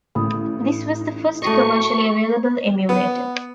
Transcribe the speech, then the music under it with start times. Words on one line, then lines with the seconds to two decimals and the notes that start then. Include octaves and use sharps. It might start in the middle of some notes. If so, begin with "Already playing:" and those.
This was the first commercially available emulator.
0.15 A1 B5 D#6
1.42 A3 F#4 D#5 G5 C#6
2.89 B3